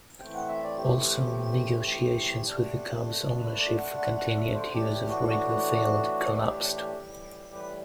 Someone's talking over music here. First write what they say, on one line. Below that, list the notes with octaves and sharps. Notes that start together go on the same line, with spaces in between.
Also, negotiations with the Cubs' ownership for continued use of Wrigley Field collapsed.
A2 E3 A3 C4 G5
F#5
E5
D5
G4
G4
D3 A3 D4
A4
A4
B4
D5
F#5
F#5
F#5
E5
C5
A2 E3 A3 D4 G4
G4
F#4
F#4
F#4
G4
A2 E3 G3
B4